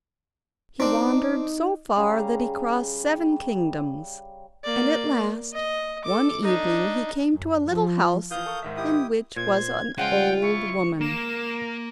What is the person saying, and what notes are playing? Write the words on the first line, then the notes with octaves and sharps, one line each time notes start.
He wandered so far that he crossed seven kingdoms, and at last, one evening, he came to a little house in which was an old woman.
C4 D4 D#4
C#3 G3 A#5
A#3 D5
D#5
A4 D6
D4 D#4
F#2
F3
E3 F3 F5 D#6 G6
A4 A#4 C#6
G#2 D#3 E5
E4 G4 D#6
A#2 C5 G#6
C#3 F3 G#3 F4 F#5 G5
E4 C#6
A#3 A#4 E7